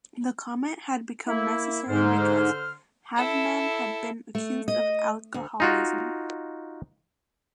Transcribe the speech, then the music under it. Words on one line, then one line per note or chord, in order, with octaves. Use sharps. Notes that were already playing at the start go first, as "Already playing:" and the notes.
The comment had become necessary because Havemann had been accused of alcoholism.
A#3 E4
G#2 D3 C5 F6
E4 A4
A3
D#5
D2
D#4 F4 F#4